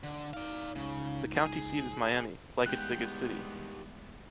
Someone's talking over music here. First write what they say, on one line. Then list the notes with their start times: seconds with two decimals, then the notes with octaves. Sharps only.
The county seat is Miami, like its biggest city.
0.03 D3
0.34 D#4 D5 F5
0.76 C#2 C#3
1.36 G#4
2.66 E2 G3 G#3 B3 D#4 G4 G5 F#6